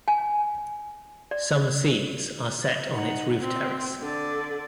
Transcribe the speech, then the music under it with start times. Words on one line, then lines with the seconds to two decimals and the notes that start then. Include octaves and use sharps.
Some scenes are set on its roof terrace.
0.08 G#5
1.31 D5
2.92 D#4 F#5
3.39 C4
4.00 D3 D5